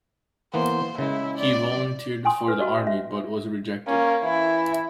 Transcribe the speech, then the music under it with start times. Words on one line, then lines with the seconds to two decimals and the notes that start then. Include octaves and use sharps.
He volunteered for the army but was rejected.
0.54 E3 A#3 B3 C5
0.98 C#3 G#3 E4
1.38 D5
2.25 G5 G#5 C6 D#6
2.48 B4
2.60 F#4 D#5
2.83 C#4 E5
3.87 A#3 C#4
4.24 E3 E4